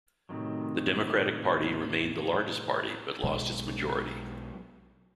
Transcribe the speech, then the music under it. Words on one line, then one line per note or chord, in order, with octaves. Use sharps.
The Democratic Party remained the largest party, but lost its majority.
A2 C3 D#3 F#3
B1 B2 F#3 G#3